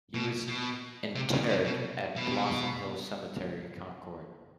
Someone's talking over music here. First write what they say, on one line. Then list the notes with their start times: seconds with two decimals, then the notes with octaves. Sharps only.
He was interred at Blossom Hill Cemetery, Concord.
0.14 B2
0.48 B2
1.15 C3
1.32 C#3
1.49 C3
1.65 B2
2.16 B2